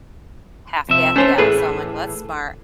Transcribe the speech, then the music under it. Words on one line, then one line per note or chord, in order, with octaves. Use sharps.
half ga Yeah, so I'm like, "Well, that's smart.
F2 C3 E5
A3 C#4 C5 C#5
A2 E3 G#4 A4 B4